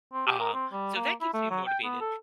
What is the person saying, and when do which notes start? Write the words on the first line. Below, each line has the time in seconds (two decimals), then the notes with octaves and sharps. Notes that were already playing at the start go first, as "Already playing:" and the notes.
Uh, so that keeps me motivated,
0.13 C4
0.27 G4
0.40 A#4
0.54 C4
0.72 G3
0.95 A#3
1.21 E4
1.34 A3
1.50 F#3
1.67 G5
1.84 B3
2.01 A4